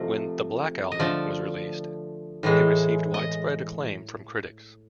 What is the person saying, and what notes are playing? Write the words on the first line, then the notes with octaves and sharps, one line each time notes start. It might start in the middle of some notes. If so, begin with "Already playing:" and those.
When "The Black Album" was released, it received widespread acclaim from critics.
Already playing: C3 F3 A3 D#5
D#5
D3 F3 A3 D5
A2 E3 G#3
D#5